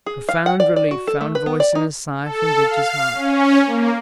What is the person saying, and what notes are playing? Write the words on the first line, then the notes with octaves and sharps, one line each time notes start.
Profound relief found voice in a sigh from Victor's heart.
G#4
F5
F#5
D5
D5
F#4
A4
A3
B4
B3
D5
D#4
A4
F5
C#4
A#3